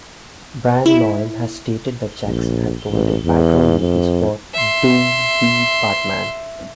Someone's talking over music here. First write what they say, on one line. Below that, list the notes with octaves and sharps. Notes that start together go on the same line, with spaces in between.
Bryan Loren has stated that Jackson had provided background vocals for "Do the Bartman".
E4
A#1
A1
E2
F2
E5 C6